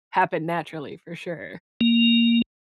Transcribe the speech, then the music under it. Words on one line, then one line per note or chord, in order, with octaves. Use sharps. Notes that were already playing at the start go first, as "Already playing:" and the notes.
happen naturally for sure.
A#3